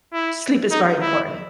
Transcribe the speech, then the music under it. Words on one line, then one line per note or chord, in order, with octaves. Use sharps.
sleep is very important.
E4
D#4
E4